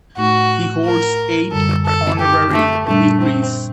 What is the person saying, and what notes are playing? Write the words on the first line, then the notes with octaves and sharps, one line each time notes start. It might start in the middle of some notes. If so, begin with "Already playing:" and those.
He holds eight honorary degrees.
A2 A3 D#4 F#4
A#4
F#2 D3 G3 A4
A4
G4
A3
A#2 G3 A3 D4
C4